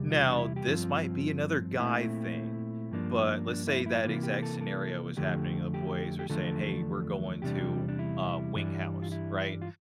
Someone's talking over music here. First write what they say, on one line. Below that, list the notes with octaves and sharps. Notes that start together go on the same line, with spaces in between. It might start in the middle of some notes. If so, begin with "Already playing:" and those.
Now, this might be another guy thing, but let's say that exact scenario was happening, the boys were saying, “Hey, we're going to, uh, Wing House," right?
Already playing: E2 C3 G3
F4
D4
E4
G4
G2 F3 C4 F4
A#2 A3 C4 E4
G2 F3 A#3 D4
D4
E4
E4
C3 E3 A#3 F4
G4
A4
A4
F2 D3 F3 A3 D4 G4
G4
G4
E2 D3 F3 A3 D4 A4
E2 C3 G3 D4 G4
D4
E4
G2 E3 G3 D4
F4
E4
F4